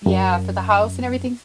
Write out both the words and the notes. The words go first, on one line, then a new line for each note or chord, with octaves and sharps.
yeah, for the house and everything.
F#2